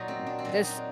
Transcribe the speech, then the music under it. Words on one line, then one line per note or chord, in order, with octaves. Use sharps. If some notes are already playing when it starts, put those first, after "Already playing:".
and this
Already playing: A#2 F#3 D#4 F#4
C4
D4
C4
A#2 F#3 D4
D#4